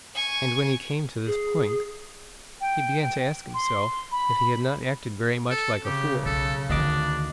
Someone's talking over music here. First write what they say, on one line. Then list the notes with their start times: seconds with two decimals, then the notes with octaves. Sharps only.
And when he came to this point, he began to ask himself, if he had not acted very much like a fool.
0.15 G#5 C#6
1.26 G#4
2.61 G5
3.54 C6
4.12 B5
5.50 A4
5.85 C#3 G4
6.26 B1 A4
6.69 D2 D3 D#3 D4 D#5 D6